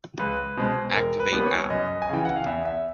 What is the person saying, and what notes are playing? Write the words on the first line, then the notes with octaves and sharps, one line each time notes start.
Activate app.
C#2 B4
B2 G#3 C5
E1 A#4
B4
D#2 D#3 G3 B3
C#5
F#2 D#5
G#5
C#3 E3 G5
F#5
F5
E2 E5
E5